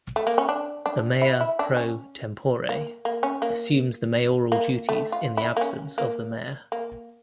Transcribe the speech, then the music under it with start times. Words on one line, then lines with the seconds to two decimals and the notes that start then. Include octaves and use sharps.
The Mayor Pro Tempore assumes the Mayoral duties in the absence of the Mayor.
0.16 A3
0.27 A#3
0.38 C#4
0.49 D4
0.86 D4
1.22 E4
1.40 E4
1.59 D4
1.77 C#4
2.69 A#3
3.05 A#3
3.23 C#4
3.42 A#3
4.52 A#3
4.89 A3
5.12 F4
5.37 E4
5.57 A#3
5.61 C#4
5.98 A#3
6.72 A#3